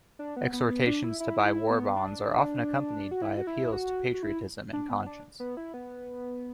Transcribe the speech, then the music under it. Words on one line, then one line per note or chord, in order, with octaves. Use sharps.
Exhortations to buy war bonds are often accompanied by appeals to patriotism and conscience.
D4
B3
B3
B3
D4
E4
E4
E4
B3
D4
F#4
E4
F#4
E4
F#4
F#4
E4
D4
B3
D4
B3
E4
B3